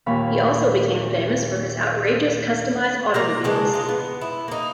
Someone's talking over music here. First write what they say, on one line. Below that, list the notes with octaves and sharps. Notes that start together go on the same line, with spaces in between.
He also became famous for his outrageous customized automobiles.
D#2 A#2 C#5 F5 B5
A#3 A#4 A#5
C#3 G#3 D4
G#3 F4
B3
E4
A#3 D#4